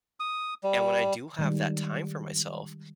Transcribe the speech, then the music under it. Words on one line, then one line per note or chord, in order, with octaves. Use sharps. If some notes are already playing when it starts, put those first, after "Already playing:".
And when I do have that time for myself,
D#6
G3
D#3 G3 G#3